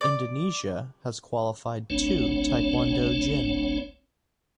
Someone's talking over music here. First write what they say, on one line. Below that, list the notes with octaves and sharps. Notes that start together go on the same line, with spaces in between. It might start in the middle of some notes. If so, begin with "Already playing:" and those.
Indonesia has qualified two taekwondo jin.
D5
F#1 B1 A3 C4 D4 C#5